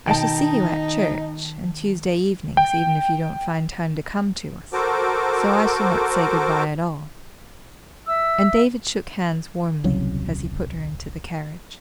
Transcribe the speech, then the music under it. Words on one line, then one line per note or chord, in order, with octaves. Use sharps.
"I shall see you at church, and Tuesday evenings, even if you don't find time to come to us, so I shall not say good-by at all;" and David shook hands warmly, as he put her into the carriage.
B2 D#3 D#4 G5 A5
G5
F#4 A4 A#4 C5 D6
E5 E6
D#1 C2 C#3 F#3